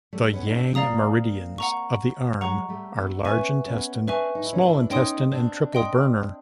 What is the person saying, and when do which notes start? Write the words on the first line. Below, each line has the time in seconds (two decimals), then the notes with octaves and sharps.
The Yang meridians of the arm are Large Intestine, Small Intestine, and Triple Burner.
0.13 G3 A3
0.33 B3 C#4
0.46 D#4
0.54 C4 D4
0.75 A#3 C4 D5 F5 A#5 D#6
1.58 F#5 A#5 C#6
2.41 F#3 G#3 F#5 A#5 C#6
2.68 G3 A3
2.96 A3 B3
3.17 D4
3.24 B3 C#4 B4 E5 G#5 C#6
3.66 B3 C#4
4.07 C4 D4 B4 E5 G#5 C#6
4.35 D#4
4.44 E4
4.53 C#4 D#4
4.63 D4 E4
4.90 C#4 D#4 D#5 G5 C6 D#6
5.31 C4 D4
5.73 D#5 G5 C6 D#6